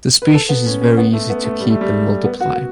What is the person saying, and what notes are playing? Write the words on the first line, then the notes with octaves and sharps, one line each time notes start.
The species is very easy to keep and multiply.
B4
A4
B3
C#4
C#4
B3
A3
B3
A3
G3
A3
G3
B3
F#4
F#4